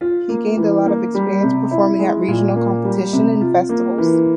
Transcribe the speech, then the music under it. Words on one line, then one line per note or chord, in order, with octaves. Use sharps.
He gained a lot of experience performing at regional competitions and festivals.
F4
A#3
E3
A#3
G3
C3
E4
G#3
A#2
A#3
G3
C3
F4
A#3
E3